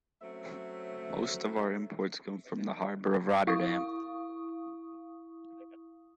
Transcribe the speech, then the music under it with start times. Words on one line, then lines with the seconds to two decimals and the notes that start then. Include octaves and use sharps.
Most of our imports come from the harbor of Rotterdam.
0.22 F#3 A3 C4 C#4 E5
3.47 E4 F5 C#6 D#6